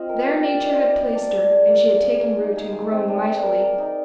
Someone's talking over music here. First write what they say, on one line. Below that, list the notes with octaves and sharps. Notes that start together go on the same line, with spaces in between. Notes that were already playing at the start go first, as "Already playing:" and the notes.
There nature had placed her, and she had taken root and grown mightily.
Already playing: C4 F4 C5 D#5
A#4
G4
D5
D#4
D5
D5
D4
D4
G#4
A#3
A#3
G#4
A#3
D#4
G#4
G#3
C4
D4
D4
A#4
A#4
D#4